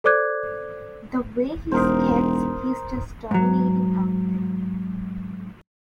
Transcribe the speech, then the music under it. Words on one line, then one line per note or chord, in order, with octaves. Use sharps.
The way he skates, he's just dominating out there.
A4 C5 D5 D6 F#6 G#6
E1 D#4 A#4 C5
G#2 F#3